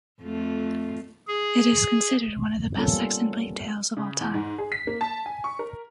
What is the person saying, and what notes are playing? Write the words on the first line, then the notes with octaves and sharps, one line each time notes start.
It is considered one of the best Sexton Blake tales of all time.
F2 A3 F4
G#4
G3 A#3 B3 C#4 F4 A4
C#3
E2
G#2
G#4
B6
A#3
A5
G#5
C#6
A#4